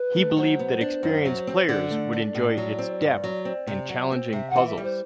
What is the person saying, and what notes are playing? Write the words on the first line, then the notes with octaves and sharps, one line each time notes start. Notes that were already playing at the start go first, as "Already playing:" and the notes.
He believed that experienced players would enjoy its depth and challenging puzzles.
Already playing: B4
A3
F#3 C5
B3
D4
F#2
F#3
C4
D3 D5
A3
D4
A2
F#3
C4
G2
F#3
C4
C3
F#3
C4
C3 E5
F#5
E3
E5
G3
C5